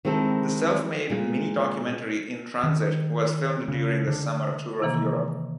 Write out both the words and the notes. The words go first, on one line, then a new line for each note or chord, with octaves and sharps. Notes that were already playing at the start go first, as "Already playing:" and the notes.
The self-made mini-documentary "In Transit" was filmed during the summer tour of Europe.
D#3 G#3 C4 E4 A4
A#2 G#3
D#3
C#3
D3
C3 D#3 E3 A#3